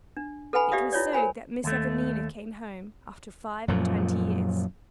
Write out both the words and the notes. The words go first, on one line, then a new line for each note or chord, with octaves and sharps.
It was so that Miss Evelina came home, after five-and-twenty years.
D4
A4 B4 F#5 G#5 B5
G4 D5 E5 F5 D#6
E4 F4 C#5 D5
A#4 C5 G#5 B5
D#2 A3
F#2 A#2 F3